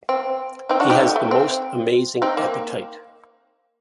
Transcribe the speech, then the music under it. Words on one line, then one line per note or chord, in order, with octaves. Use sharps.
He has the most amazing appetite.
C4
C4 D#4
D4 F#4
D#4 G4
A3
A3
C4
C4 D#4
A#3